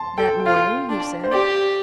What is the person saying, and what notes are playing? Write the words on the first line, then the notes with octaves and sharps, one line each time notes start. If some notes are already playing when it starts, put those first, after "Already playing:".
That morning, he said.
Already playing: A5 C6
A4 G5
G5
F4 F5
D4
C5
G4 D5